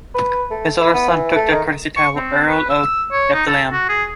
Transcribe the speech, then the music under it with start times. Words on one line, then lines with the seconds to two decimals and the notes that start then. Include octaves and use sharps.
His elder son took the courtesy title, Earl of Eltham.
0.14 B4
0.51 A3
0.81 E4
0.93 B3
1.09 E3
1.36 A3
1.52 D#3
1.97 C#6
2.16 C4
2.47 B4
2.70 E6
3.12 C#5
3.33 D#4
3.47 A4
3.72 F#4
3.89 G#4